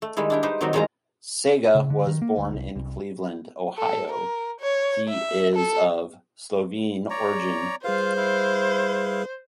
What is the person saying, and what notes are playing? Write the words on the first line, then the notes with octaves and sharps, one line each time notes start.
Sega was born in Cleveland, Ohio, he is of Slovene origin.
A3
D#3 G3 G#3 E4
D4 E4 G4
D#4 G4 B4 C5
D#3 F#3 G3 C4 D#4 F#4
E2 D#3 G3 G#3 F4 A#5
C#3
D3
D#3
A#3
D2
C2
C2
A4
A#4
C#5
E5
A4
C#5 D5 A#5
G3 F4 G#4 B4 C5 F5
E4 F5